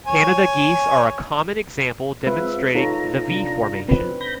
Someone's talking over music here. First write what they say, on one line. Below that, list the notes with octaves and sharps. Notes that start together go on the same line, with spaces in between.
Canada geese are a common example demonstrating the V formation.
C#5 G#5
G#3 C4 F4 B4 E5
D#4 F4 A4 C#5 A#5
C3 D4
F3 C4 B4
B5 G6 A#6